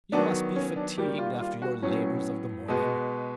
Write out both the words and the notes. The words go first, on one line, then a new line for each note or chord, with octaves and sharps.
You must be fatigued after your labours of the morning.
D#3 F#3 B3 D4
C#4
D4
D#3 G3 A#3 G4
F4
F4
F#4
A2 F#3 B3 C#4
B2 G#3 B3